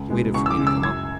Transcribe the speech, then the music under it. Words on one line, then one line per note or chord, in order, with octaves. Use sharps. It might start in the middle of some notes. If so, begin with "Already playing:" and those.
He waited for me to come up.
Already playing: C#2
B2 G#3
C#2 C#6
E6
D6
C#3 G#3
E6
F#2 G#6